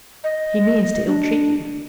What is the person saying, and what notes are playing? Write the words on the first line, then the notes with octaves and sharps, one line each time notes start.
"He means to ill-treat you."
D#5
D4